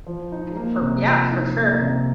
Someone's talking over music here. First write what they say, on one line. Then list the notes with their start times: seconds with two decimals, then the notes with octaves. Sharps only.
Ooh, for yeah, for sure.
0.06 F3
0.32 D#4
0.57 A#3
0.81 C3
1.06 F3
1.32 D#4
1.57 A#3
1.82 C3